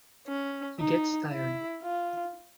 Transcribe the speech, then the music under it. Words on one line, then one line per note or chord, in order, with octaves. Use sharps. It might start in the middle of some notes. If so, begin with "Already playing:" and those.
He gets tired.
C#4
D#4
E4
F4